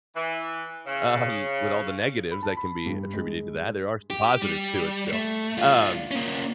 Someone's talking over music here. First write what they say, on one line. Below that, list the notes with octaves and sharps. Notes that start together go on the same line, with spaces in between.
Um. With all the negatives that can be attributed to that, there are some positives to it still, um
E3
C#3
B5
A5
B5
G2
G#3
G4
G3
A3
G3 F4
A#3 C#4